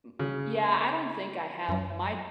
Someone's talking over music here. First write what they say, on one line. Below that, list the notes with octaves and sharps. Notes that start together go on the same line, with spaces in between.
m Yeah, I don't think I have. My
C#3
F#2 F#3